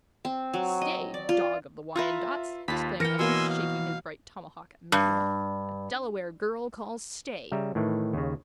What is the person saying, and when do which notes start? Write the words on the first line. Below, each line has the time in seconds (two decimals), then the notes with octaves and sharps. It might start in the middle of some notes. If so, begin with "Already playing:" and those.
"Stay, dog of the Wyandots!" exclaimed Uncas, shaking his bright tomahawk at Magua; "a Delaware girl calls stay!"
0.25 C4
0.54 F#3
0.81 D#5
1.14 D5
1.29 F4
1.96 F4 B4 E5 A#5 C#6
2.68 D#2 F4 A5 B5
3.00 E3 A#4 G5 F6 A#6 C#7
3.19 B2 A#3 C#5 G#5 C6 E6
3.49 F5
4.92 G2
7.51 C#3 G3 E5 A#5
7.75 A2 D#3 E3
8.13 D#2 C#3